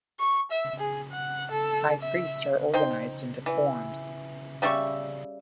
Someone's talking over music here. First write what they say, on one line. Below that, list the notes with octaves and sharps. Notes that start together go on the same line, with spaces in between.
High priests are organized into quorums.
C#6
E5
G#4
F#5
A4
E5
D#4 C5 G5
E3
C#3 G3 E5 C#6